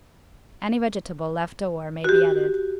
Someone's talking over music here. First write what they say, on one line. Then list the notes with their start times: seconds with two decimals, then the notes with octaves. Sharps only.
Any vegetable left over may be added.
2.04 F#4 G4